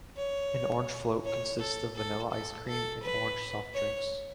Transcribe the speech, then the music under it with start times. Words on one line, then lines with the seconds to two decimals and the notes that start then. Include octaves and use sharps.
An orange float consists of vanilla ice cream and orange soft drinks.
0.17 C#5
1.24 C#5
1.59 A4
1.96 A4
2.32 A4
2.67 A4
3.03 B4
3.74 C#5